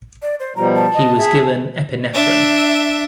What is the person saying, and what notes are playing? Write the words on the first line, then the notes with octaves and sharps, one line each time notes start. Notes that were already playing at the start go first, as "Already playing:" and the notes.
He was given epinephrine.
D5
C5
B2 F3 G3 A#5
A5
D#5
G#4 E5
D4 E5